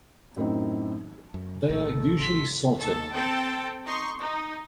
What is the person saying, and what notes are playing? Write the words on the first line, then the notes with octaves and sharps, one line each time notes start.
They are usually salted.
F#2 A2 C4 D#4
F#2
A#1 A2 D#3 A4
G#1 C6 B6
D#2 A4
C4 A4 G5
D#4 C6 C#6
D#4